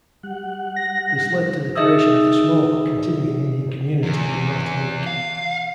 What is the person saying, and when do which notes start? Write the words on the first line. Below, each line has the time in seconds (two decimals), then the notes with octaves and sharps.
This led to the creation of the small but continuing Indian community in Martinique.
0.23 G3 F#5
0.76 A#6
1.76 D#4 G#4 D#5 E5 D#6 E6
4.03 E2
5.06 F5